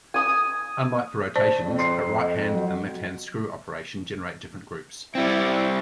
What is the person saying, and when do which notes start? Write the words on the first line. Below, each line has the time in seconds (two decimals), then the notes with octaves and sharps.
Unlike for rotations, a righthand and lefthand screw operation generate different groups.
0.14 G#5 D#6
1.36 C5 D5 A5
1.57 F2
1.79 C6 C7
2.21 D#5
2.54 F#3
5.15 G3 C4 E4 D5